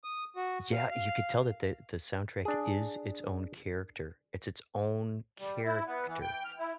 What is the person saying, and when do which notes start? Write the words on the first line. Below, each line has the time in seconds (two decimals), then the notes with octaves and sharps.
Yeah, you could tell that the the soundtrack is its own character, it's its own character,
0.04 D#6
0.36 F#4
0.73 F5
0.91 F5
2.45 D4 G#4
5.39 G3
5.64 E4
5.87 B3
6.07 E3
6.22 G5
6.45 F6
6.59 E4